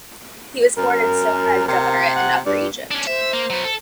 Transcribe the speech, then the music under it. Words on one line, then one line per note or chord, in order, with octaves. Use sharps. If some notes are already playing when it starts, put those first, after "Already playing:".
He was born in Sohag Governorate in Upper Egypt.
F#2 A#4
C3 A#4
F#5
G2 D5
C#4 D4
C5 E5
A#3
F#3 B3
A4